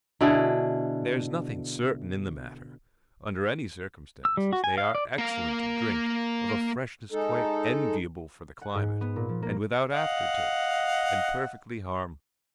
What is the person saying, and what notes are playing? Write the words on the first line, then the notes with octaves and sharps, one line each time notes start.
There is nothing certain in the matter. Under any circumstances, they are excellent to drink, of a freshness quite enviable for the climate, and without after-taste, and perfectly harmless.
B2 D3 E4 G#4
E6
G3
F#4
G#5
F5
D5
A#3 F5
G#3 D#4 A4
F#5
G#2
B3
A#2
F3
A#3
D#5 F5 F#5